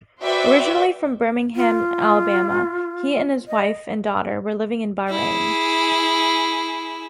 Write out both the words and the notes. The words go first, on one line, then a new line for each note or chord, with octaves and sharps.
Originally from Birmingham, Alabama, he and his wife and daughter were living in Bahrain.
F#4 B4 C5 D5 E5 G5
F4
D#5
E4 G#4